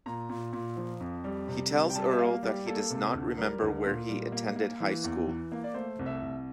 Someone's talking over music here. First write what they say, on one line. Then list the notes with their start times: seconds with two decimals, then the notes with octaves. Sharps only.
He tells Earl that he does not remember where he attended high school.
0.06 A#2 A#5
0.29 A#2
0.53 A#2
0.77 F3
1.00 F2
1.24 G3
1.48 C3
1.72 G3
1.90 G5
1.95 G3 A5
2.11 E5
2.19 A#3 F5
2.43 G3 G4
2.66 A#3 A4
2.90 C3 A4
3.14 D2
3.37 G3 A#4
3.62 D2
3.86 A#2
4.09 G3
4.32 A#3
4.56 A#3
4.80 E3
5.04 E2
5.27 E3
5.52 A#3
5.64 D5
5.74 A3 C5
5.99 C2
6.06 E5
6.22 C2